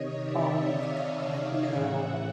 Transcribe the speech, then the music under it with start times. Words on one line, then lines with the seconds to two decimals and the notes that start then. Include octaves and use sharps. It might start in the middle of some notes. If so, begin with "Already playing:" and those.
Oh my God. No.
Already playing: C3 D#3 C#5 D#5
0.23 D5 E5
0.72 D#5 F5
1.71 A2 E3 E5 F#5